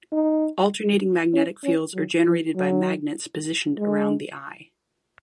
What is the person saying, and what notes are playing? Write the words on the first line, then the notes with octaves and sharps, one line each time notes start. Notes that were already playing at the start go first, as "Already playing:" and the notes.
Alternating magnetic fields are generated by magnets positioned around the eye.
D#4
C#4
C#4
F#3
F3
F#3
G#3